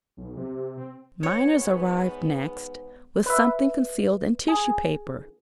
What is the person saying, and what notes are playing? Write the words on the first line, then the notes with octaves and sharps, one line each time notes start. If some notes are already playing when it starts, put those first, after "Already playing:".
Mynors arrived next, with something concealed in tissue-paper.
B1
C3
C4
G#2 B3 C#5
B4 E5
G#4